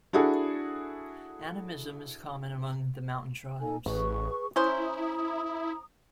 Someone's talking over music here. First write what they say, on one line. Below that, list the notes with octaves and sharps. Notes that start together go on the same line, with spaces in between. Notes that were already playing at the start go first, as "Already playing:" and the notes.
Animism is common among the mountain tribes.
D4 E4 F#4 G#4 A4
D#4 A4 G#5
A1 G#4 B4 C#6
C#4 E4 C5 A#5 D#6